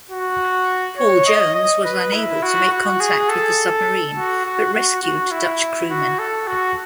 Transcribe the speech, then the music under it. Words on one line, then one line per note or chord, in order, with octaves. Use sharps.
"Paul Jones" was unable to make contact with the submarine, but rescued Dutch crewmen.
F#4
C#5
D#5
D#5
B4
E4
F#4
F#4
G#4
A4
F#4
F#4
F#4
F#4
E4
F#4
A4
F#4